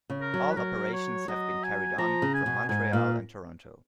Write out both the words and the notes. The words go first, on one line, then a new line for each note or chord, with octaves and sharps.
All operations have been carried on from Montreal and Toronto.
C#3
A#4
F#3
B4
F#3 A#4
C#5
F#3 D#5
G#5
F3 A#5
C#3
G#5
B2
G#2 G#5
A#2 F5